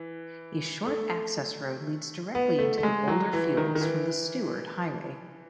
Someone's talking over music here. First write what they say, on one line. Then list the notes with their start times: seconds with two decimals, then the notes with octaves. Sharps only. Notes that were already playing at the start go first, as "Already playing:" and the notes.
A short access road leads directly into the boulder fields from the Stuart Highway.
Already playing: E3
0.86 A3
2.35 B3
2.59 A3
2.78 A3
2.83 G#3
3.08 F#3
3.33 E3
3.57 D#3
3.75 D#3
3.81 E3